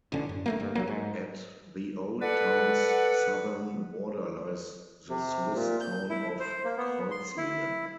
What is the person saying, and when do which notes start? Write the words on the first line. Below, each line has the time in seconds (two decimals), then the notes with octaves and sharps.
At the old town's southern border lies the Swiss town of Kreuzlingen.
0.12 A1 A#2 D3 C#4
0.29 F#2
0.46 D1 A3 A#3
0.60 G1 G2
0.75 E1 F#3 A#3
0.88 G#2
2.21 A4 B4 D5 F#5
5.10 C3
5.55 A#2
5.81 G6
6.09 E4
6.40 C5
6.64 A#3
6.78 B3
7.11 C6
7.37 E4